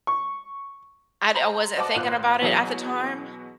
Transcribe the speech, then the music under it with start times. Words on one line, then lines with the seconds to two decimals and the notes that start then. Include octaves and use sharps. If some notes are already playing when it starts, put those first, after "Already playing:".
I'd I wasn't thinking about it at the time.
0.07 C#6
1.34 C5 A#5
1.76 C5 D5 D#5 F#5 A5 D6
1.95 G#1 A#2 F4 C5 F#6
2.41 B2 E3 F#3 B3 G#4